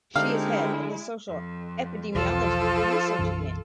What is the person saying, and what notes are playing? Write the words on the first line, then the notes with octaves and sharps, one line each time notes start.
She is head of the Social Epidemiology Research Unit.
D3 G#3 C4 D#4 E4 G4 F5
F2
B1 E2 F3 F4 A4
B1 F#2 E3